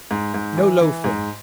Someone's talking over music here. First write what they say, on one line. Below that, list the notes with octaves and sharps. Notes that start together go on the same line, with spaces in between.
No loafing!
G#2
G#2
E3
E3
G#2